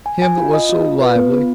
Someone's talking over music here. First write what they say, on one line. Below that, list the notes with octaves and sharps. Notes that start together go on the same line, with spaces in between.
Him that was so lively!
G#5
G#5
F4
D#5
F4
F4
B4
B3
F4